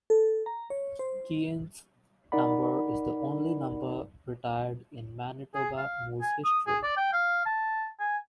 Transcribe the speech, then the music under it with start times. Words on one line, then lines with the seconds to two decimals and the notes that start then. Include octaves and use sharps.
Keane's number is the only number retired in Manitoba Moose history.
0.10 A4
0.46 A#5
0.70 C#5
0.99 C5
2.32 D#4 A#4 D5 F#5 B5
5.54 G#4
5.77 F5
6.22 G#5
6.44 D#6
6.67 G#4
6.83 D5
6.97 G5
7.13 F5
7.46 A5
8.00 G#5